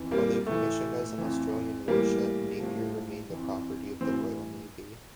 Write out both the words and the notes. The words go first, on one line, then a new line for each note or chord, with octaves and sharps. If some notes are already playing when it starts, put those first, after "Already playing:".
Although commissioned as an Australian warship, "Napier" remained the property of the Royal Navy.
Already playing: F2 E3
G3 A#3
A2 A3
E3
F2 E3
A2 E3 G3 A#3
A2 F3
F2 E3
A2 E3 C4